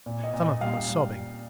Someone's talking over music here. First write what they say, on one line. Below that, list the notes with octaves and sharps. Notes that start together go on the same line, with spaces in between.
Some of them were sobbing.
A#2
D#5
A#2
D#5
G3 F5
G3